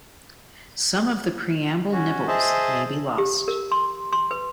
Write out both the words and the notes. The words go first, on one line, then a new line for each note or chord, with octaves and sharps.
Some of the preamble nibbles may be lost.
C#4 F#4
G#4 C5 D#5 E5 A5
G4
A#4
C6
C6
B4